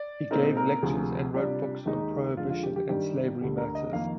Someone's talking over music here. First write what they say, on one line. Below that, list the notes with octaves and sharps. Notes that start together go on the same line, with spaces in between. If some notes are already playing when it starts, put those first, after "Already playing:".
He gave lectures and wrote books on prohibition and slavery matters.
Already playing: D5
A#2 G#3 C4 D#4 A#4
A#4
D2 C3 F3 G#4
C3 G3 D4 F4 G4
D#2 D#3 G#3 D#4
F2 D3 G#3 F4
F4
G4
G4
G2 D#3 G3 D4 G4
D2 D3 G3 G4
A#4
D#5
F2 D#3 A#3 F5